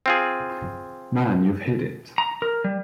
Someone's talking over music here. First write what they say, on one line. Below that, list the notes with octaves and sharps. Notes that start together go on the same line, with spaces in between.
Man, you've hit it!
C4 F4 G#4
A#5
A#4
G3